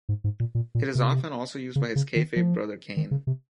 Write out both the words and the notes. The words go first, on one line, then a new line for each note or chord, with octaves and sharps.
It is often also used by his kayfabe brother Kane.
G#2
G#2
A#2
A#2
A#2
C3
C#3
C#3
D#3
F3
D#3
C#3
C3